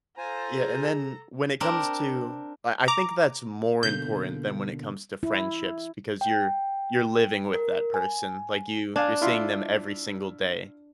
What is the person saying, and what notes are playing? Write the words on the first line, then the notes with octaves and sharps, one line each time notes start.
Yeah, and then when it comes to I I think that's more important than when it comes to friendships because you're you're living with that person. Like, you you're seeing them every single day.
F4 A4 C5 G#5 A#5
G#4
C4 D4 A#4
A#5 D6
B2 D3 A#3 G6
E4
G5
A#4
G#5
D4 F5 G#5
E4 F4 C6